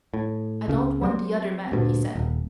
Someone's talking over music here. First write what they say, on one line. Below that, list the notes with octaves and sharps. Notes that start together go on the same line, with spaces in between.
"I don't want the other men," he said.
A2
C#2 C#3
F#3 G3 C4
D2 G2 A#2
D#1